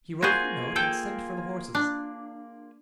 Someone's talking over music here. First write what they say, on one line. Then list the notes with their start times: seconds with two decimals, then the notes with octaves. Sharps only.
He wrote the note, and sent for the horses.
0.23 A#3 F4 F#4 G#4 C5
0.76 A4 G5
1.75 D4